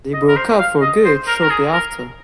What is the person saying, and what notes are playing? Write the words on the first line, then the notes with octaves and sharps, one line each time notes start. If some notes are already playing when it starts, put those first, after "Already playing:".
They broke up for good shortly after.
D#5
A#4
C5
F5
D#5
C5
A#4
A#4
G#4
A#4